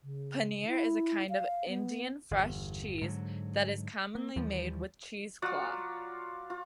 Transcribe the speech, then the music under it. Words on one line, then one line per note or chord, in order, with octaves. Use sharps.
Paneer is a kind of Indian fresh cheese that is commonly made with cheesecloth.
C#3
E4
F5
B3
G1 E2
G#2 D3 F#3
A#3
D#2 E3 F3 G3
F#3 F4 D5 F#5
F4